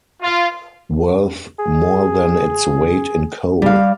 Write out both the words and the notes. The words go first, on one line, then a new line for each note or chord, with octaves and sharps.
Worth more than its weight in coal!
F4
G#4
G3 F5